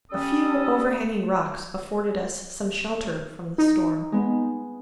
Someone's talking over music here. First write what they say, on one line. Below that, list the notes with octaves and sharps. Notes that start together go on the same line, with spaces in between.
A few overhanging rocks afforded us some shelter from the storm.
G3 C#4 A4 D#6
D#4
G#3 B3